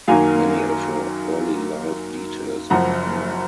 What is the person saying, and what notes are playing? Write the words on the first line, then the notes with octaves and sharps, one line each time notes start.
Many of her early life details are not known.
F#2 D#3 F#3 A#3 F5 G#5
F#1 F#2 F3 F#5 A#5